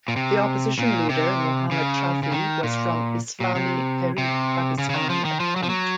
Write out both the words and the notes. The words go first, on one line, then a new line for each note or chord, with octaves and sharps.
The opposition leader Muhammad Shafi was from Islami Tehreek Pakistan at the point.
A#2
C3
A#2
C3
C#3
C#3
D#3
A#2
A#2
C3
C3
C#3
C#3
D#3
F3
D#3
F3
F#3
F3
F#3